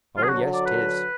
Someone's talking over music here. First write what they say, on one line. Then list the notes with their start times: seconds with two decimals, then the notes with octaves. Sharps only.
Oh yes, 'tis.
0.17 D3 F#3 F4
0.23 G#4
0.29 F#4
0.54 D5
0.66 B4